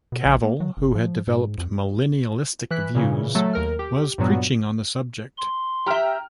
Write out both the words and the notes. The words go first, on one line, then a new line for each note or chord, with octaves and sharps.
Kavel who had developed millennialistic views, was preaching on the subject.
B2
A#1
A#3
F#3
F#1
F3
G#2
F2
E3 F#6 B6
A#2 C#3 E3
F#3 A3 A4
D#2 A#4 F6
G4
G2 A#2 F#3 B3
C6
G4 E5 G5 A#5 F6